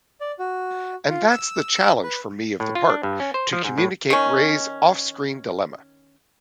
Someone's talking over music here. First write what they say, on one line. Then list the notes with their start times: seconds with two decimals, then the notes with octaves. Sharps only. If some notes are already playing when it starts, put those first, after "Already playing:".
And that's the challenge for me of the part: to communicate Ray's offscreen dilemma.
0.21 D5
0.39 F#4
1.09 F4
1.30 E6
2.04 B4
2.60 A2
2.75 F4
2.90 D4
3.03 G2
3.20 C#4
3.34 C5
3.53 F3
3.64 G#2
3.78 A2
4.10 D#3 C#4